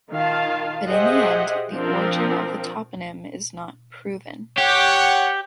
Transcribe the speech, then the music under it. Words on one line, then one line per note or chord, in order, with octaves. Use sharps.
But in the end, the origin of the toponym is not proven.
D#3 F4 F5 A5
G4 G#4 C5 D#5 E5 F#5
F3 C4 D4 A#4
G4 C#5 F#5